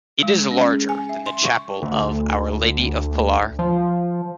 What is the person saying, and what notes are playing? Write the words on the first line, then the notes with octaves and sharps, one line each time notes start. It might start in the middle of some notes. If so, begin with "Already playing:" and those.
It is larger than the Chapel of Our Lady of Pilar.
G#3
C#4
G#4
G#5
E5
C6
C#6
D2
F3